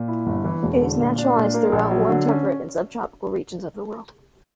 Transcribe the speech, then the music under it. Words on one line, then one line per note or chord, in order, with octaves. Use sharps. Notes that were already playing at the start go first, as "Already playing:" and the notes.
It is naturalized throughout warm temperate and subtropical regions of the world.
Already playing: A#2
E4
G1
E3
E1
D3
A#2
D4
A#2
A#3
A#1
F#3
D3
C#4